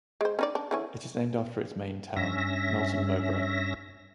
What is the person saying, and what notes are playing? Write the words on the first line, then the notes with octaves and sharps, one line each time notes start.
It is named after its main town, Melton Mowbray.
G#3 C5
C#4 D#4 D5
D4
D3 E3 C#4
G2 C#4 E5 A#6